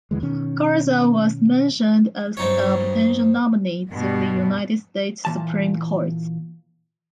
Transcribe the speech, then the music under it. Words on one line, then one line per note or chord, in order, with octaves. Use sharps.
Garza was mentioned as a potential nominee to the United States Supreme Court.
E2 D3 E3 G#3
B2 D#3 C#4
G2 F#3 C4 D#4 C#5
G2 B2
A#2 E3 A5